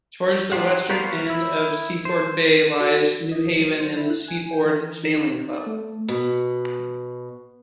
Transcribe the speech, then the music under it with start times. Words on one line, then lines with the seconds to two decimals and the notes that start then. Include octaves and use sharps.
Towards the western end of Seaford Bay lies Newhaven and Seaford Sailing Club.
0.52 D#4 F4 G4 C5 F#5
0.90 B3 F#4 A#4 C5 F5
1.30 E4
2.05 C5
2.80 F#4
3.31 D#5
3.59 F#3
3.80 C5
3.96 E4
4.10 F#6
4.28 G#5
4.53 G5
4.66 E3
5.03 D#4
5.48 D5
5.67 A3
6.08 B2